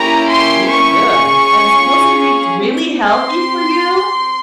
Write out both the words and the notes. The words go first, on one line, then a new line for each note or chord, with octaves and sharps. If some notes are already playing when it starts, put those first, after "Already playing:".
really good and supposedly it's really healthy for you.
Already playing: A#3 C#4 E4 G4 A#5
C6
C#6
C#4 F4 G#4
C4 G4
C6